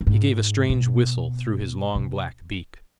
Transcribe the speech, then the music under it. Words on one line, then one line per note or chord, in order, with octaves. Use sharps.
He gave a strange whistle through his long black beak.
G2
G#2
B2
C3